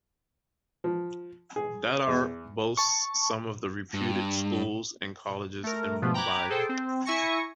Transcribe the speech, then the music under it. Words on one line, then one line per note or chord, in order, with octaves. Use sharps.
Dadar boasts some of the reputed schools and colleges in Mumbai.
F3
G#4
E2
A5 C#6
G2
A3 A#4
B2 F3 A3 B3
G5 A#5 B5 D6 F#6 G#6
G#4 A4 C5 G5
C4
E4 E5 G#5 C#6 A#6 C#7